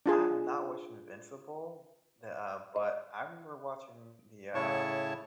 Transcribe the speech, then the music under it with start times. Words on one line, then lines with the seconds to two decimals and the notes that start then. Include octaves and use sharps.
I've not watched Invincible, eh, uh, but, I remember watching the, uh
0.06 D4 F4 G#4
2.76 D#5
4.55 A2 C#3 E4 C#5 A5 C#6